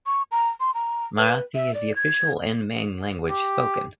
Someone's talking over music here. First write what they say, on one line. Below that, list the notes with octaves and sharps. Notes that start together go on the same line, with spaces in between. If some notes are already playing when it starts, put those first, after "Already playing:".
Marathi is the official and main language spoken.
C#6
A#5
C6
A#5
B4
E5
D5
G#6
G4